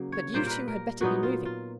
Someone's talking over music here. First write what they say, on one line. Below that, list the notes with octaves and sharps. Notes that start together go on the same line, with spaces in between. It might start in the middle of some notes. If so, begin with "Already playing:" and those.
But you two had better be moving.
Already playing: C#3 F#3 A#3
C#5
A#2 G3 A#3 C5
A#4 B4
A#4
A#2 F#3 B3 D#4 F#4
F4
F4